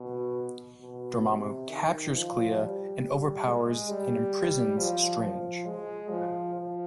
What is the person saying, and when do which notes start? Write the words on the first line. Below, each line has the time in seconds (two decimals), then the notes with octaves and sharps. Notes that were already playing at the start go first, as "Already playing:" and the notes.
Dormammu captures Clea, and overpowers and imprisons Strange.
Already playing: B2
0.81 B2
1.25 C3
1.69 D#3
2.13 F3
2.57 G3
3.45 G#3
3.89 G3
4.78 F3
5.21 F3
5.66 G#3
6.09 F3
6.54 F3